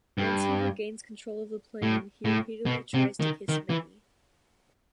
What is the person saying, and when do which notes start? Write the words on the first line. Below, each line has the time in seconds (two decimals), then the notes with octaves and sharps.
Once he regains control of the plane, he repeatedly tries to kiss Minnie.
0.18 G2
1.82 A2
2.25 A2
2.66 B2
2.94 C3
3.21 D#3
3.49 D#3
3.70 E3